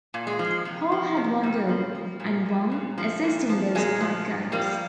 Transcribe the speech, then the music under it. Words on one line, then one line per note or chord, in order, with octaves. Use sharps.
Hull had one goal, and one assist in those five games.
A#2
G#3
F3
C3
F3
C3
C3 G3
F3
F3
A#2
A#2
A#2
F3
A#2
F3
A#2 G#3
F3
F3
F3 G3 A#3